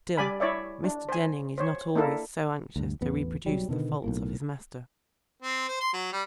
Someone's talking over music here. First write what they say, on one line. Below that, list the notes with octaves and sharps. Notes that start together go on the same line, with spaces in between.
Still, Mr. Denning is not always so anxious to reproduce the faults of his master.
G3 D5 G#5 B5
E4 C#5 D5 E5
D4
C5 G#5
C5 C#5
A#3 D4 E4 A4 A#4
D2 G2
A1 E2 B3
B1 F#3 G3
B2 D3 D#3 B3
B1 A2 A#3
C4
C5
C6
F#3
G3